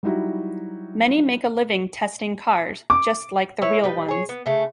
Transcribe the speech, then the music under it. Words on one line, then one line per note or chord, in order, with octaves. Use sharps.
Many make a living testing cars, just like the real ones.
F#3 G3 D#4 E4 F#4
D6
E4 B4 C#5
G3 D#4 B4
G#4 C#5
B3
C#3 A3